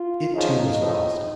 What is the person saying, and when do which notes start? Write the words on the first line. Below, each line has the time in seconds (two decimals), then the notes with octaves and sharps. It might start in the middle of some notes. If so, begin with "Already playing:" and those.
It, too, was lost.
Already playing: F4
0.33 F#2 C#3 F3 D#4 D#5
0.79 A2 F3